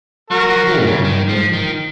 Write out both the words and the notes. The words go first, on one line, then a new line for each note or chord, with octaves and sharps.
What for, I wonder?
F#3 F#4 A#4
F3
D#3
B2
C#3
D#3
F3
D#3